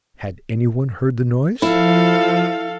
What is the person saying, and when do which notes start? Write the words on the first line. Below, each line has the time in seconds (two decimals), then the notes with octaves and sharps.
Had any one heard the noise?
1.62 F3 E4 A4 F5